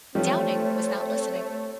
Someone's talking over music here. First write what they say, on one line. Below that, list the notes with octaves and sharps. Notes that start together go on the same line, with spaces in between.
Downing was not listening.
F3 G3 A3 C4 C#5